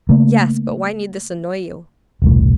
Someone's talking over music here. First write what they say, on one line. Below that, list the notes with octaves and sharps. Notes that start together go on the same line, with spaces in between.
"Yes; but why need this annoy you?"
C#3 A3 A#3
E1 C2 A2